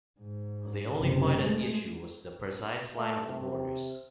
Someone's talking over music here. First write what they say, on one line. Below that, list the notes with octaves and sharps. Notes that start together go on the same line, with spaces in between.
The only point at issue was the precise line of the borders.
G#2
F#1 C3
G#3 A3
A3
C3